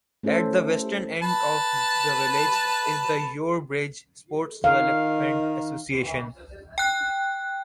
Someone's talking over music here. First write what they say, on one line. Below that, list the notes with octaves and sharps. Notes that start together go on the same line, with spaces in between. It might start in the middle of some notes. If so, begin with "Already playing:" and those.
At the western end of the village is the Yorebridge Sports Development Association.
A3 C#4 E4 A4 C5
B4 A5
D#3 F5
G5 F#6